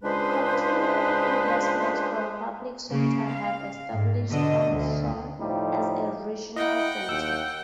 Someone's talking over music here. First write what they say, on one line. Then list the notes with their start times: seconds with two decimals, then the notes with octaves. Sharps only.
Continual investments from public sector have established Thompson as a regional center.
0.03 C#2 G#3 D4 B4 C5
2.91 C#3 A#3
3.32 F5
3.92 G#2
4.28 B2 D3 D#5
4.70 D2
5.40 A2 F3 G3 D#4
6.56 E4 D#5 F#5 G5
7.09 D#2 E6